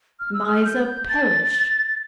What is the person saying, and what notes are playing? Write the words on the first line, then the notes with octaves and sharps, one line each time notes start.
Miser, perish!'
F6
E6
F6
G6
A6